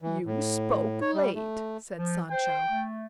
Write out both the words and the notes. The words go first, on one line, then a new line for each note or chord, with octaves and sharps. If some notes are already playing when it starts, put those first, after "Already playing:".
"You spoke late," said Sancho.
E3
A2
C#5
G3
A3
F3
C5 G5
A3